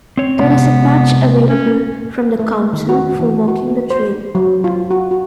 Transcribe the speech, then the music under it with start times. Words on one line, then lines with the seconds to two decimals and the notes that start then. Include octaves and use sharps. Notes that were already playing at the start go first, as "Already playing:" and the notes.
There is a patch available from the Council for walking the trail.
0.17 C4 C#5
0.39 C3 G#3 B3
1.49 C#4
2.39 A3
2.73 D#3
2.89 F#4
3.20 E3
3.48 F#4
3.68 A#3
3.90 C5
4.35 F#3
4.64 F4
4.91 F#4
5.11 F#4